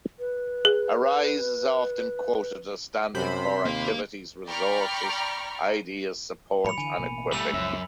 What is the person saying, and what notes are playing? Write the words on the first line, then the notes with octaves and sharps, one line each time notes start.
Arise is often quoted as standing for: Activities, Resources, Ideas, Support and Equipping.
B4
G#4
F#2 C3 C5 B5
D#2 A#3 F5
D5 G5 A#5 B5 C#6 F6
A2 F3 G3 B5 C#7 F7
D3 E3 G#5 D#7
A1 B2 A#3
G3 A3 E6 F7 F#7
C#2 F#2 F3 E5